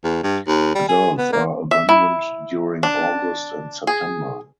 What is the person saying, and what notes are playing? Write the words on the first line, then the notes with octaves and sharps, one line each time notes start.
Adults are abundant during August and September.
E2
G2
D#2
G3
G#4
B3
A#3
E5
E4
D4
G#4